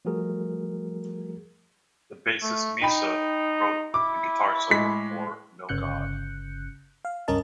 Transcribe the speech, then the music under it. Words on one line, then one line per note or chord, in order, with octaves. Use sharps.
The bassist Misa wrote the guitar solo for "No God".
F3 G3 A3 F#4 G#4 A#4
A3
D#4 G5 B5
E4 D6
A2 G#3 B6
G1 C#3 F#6 G6 C#7
F5
C#2 G2 C#4 A#4 D#5 A5